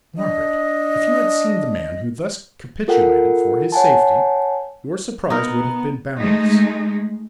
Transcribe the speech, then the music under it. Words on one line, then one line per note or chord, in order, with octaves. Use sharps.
Margaret, if you had seen the man who thus capitulated for his safety, your surprise would have been boundless.
D4 D#5
F4 A4 A#4 F#5 G5
C#5 F#5 G#5 A5
B3 D#4 A#4
G#3 A3 D#4